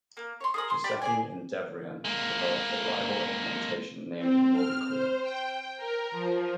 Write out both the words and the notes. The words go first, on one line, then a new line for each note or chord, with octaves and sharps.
Giesecke and Devrient developed a rival implementation named Mobicore.
A#3
C#5 C6
G#4 A#4 D#6
C6
G4 D5 G5 B5
G#4 D5 G#5
G#3 A#3
C4
F6
C5
G5
A#4
F3